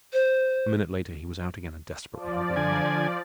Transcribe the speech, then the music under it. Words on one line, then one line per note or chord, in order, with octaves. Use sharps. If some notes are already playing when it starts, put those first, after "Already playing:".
A minute later he was out again and desperately hobbling on.
C5
F3 D5
D3 G#5